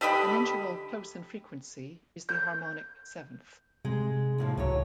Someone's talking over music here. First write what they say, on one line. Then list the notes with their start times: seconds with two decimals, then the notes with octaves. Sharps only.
An interval close in frequency is the harmonic seventh.
0.01 D3 G4 D#5 B5
2.29 G6
3.85 C3 G#3
4.38 D#2 A2 F3
4.57 C#2 A2 F#3 C#5